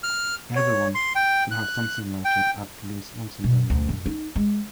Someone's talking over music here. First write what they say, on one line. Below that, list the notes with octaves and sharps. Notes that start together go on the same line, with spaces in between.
Everyone should have something like it at least once in their lives.
F6
C#5
C6
G5
F#6
G5
B2
D2
F#2
D#4
G#3